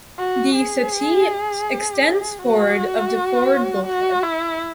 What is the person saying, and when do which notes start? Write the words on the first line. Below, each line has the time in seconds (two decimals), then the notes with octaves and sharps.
The settee extends forward of the forward bulkhead.
0.19 F#4
0.55 G#4
2.39 F#4
3.86 F#4
4.23 E4